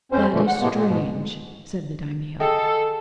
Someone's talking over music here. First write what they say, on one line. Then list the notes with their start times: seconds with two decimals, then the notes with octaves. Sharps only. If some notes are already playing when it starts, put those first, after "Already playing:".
"That is strange!" said the Daimio.
0.12 F2 C4 C#4 C5
0.33 A#2 D3 E3 F3 A3
0.46 F#5
0.61 A2 C3 F3 G#3 A#3 B3
0.72 A#2
0.87 G#2 B2
2.40 G#4 A4 D#5 G5